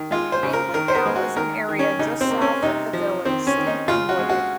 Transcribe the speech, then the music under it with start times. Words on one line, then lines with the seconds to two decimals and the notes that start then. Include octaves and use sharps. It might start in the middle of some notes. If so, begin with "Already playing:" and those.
Dingley Dell is an area just south of the village, steep and wooded.
Already playing: D#3
0.11 G#3 F4
0.32 C5
0.43 C#3
0.53 A#4
0.74 D#3 A#4
0.88 C5
0.95 A#4
1.06 G#3
1.16 F#4
1.36 D#3 A#4
1.69 D#3
1.79 C#4
1.99 C#3 D#4
2.21 C4
2.31 A#3
2.41 C#4
2.62 C3 D#4
2.93 F3
3.25 D#3 C4
3.47 C#4
3.57 D#3
3.67 D#4
3.88 C#3 F4
4.09 F#4
4.19 G#3
4.29 F#4